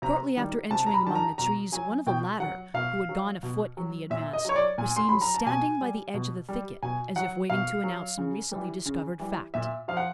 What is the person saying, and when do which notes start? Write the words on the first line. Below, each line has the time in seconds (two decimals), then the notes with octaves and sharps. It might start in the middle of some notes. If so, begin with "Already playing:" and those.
Shortly after entering among the trees, one of the latter, who had gone afoot in the advance, was seen standing by the edge of the thicket, as if waiting to announce some recently discovered fact.
0.02 C3 A#5
0.37 D#3 G3
0.70 C3 A5
0.86 A#5
0.94 B5
1.04 D#3 G3 A5
1.15 A#5
1.38 B2 A#5
1.72 F#3 G#5
2.06 B2 G5
2.40 F#3 F#5
2.74 B2 F5
3.09 F#3
3.43 B2
3.77 F#3
4.10 A#2 E5
4.33 D#5
4.45 F#3 C#5
4.56 D5
4.78 A#2 G#5
4.96 C6
5.09 F#3 B5
5.21 A#5
5.34 A5
5.46 B2 G#5
5.81 G3
6.14 B2
6.49 G3
6.83 B2 G#5
7.16 F#3 F#5
7.50 B2 F5
7.84 F#3
8.18 C#3
8.52 E3 G3
8.86 C#3
9.19 E3 G3
9.54 A#2 E5
9.88 F3 F5
9.97 F#5